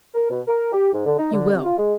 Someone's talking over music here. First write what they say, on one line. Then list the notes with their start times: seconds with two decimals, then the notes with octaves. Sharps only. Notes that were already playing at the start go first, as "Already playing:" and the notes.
"You will."
0.14 A#4
0.30 B2
0.47 A#4
0.72 G4
0.93 G#2
1.06 D3
1.18 D#4
1.33 D3
1.53 C3
1.64 F4
1.78 G#3